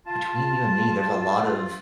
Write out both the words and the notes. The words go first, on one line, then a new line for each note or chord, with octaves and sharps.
between you and me, there's a lot of
F4 A5